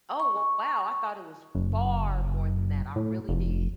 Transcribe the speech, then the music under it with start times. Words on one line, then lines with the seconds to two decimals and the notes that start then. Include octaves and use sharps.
Oh, wow, I thought it was far more than that. I really did.
0.20 C#6
1.55 F#1
2.96 A2
3.29 F1